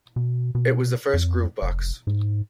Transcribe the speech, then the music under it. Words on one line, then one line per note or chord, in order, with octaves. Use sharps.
It was the first groovebox.
B2
B2
F2
F1
G#2